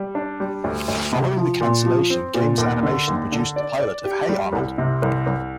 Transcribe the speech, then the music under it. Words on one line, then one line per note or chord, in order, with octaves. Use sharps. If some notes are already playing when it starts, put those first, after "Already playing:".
Following the cancellation, Games Animation produced the pilot of Hey Arnold!
Already playing: G3
D4
G3
D2
D2
C3
F3
A#2
F3
C4
A#2
D#2
D3
D#2
D3
D5
D5
G4
G3
C2
C3
C2
C2